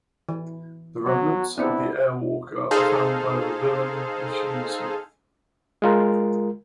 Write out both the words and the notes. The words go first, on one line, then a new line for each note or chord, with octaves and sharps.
The remnants of the Air-Walker are found by the villain Machinesmith.
E3
F#3 B3
B3 C4 D4 E4
D#4 G#4 A4 C5 F5
G#3 F4 A#4